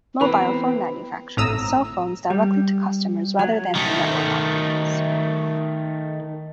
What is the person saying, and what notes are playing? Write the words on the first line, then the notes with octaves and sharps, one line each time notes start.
Mobile phone manufacturers sell phones directly to customers rather than through network operators.
E3 B3 C4 B4 B5 F7
G#1 A2 A#5 D#6 E6
G3
F#3
D#3 A3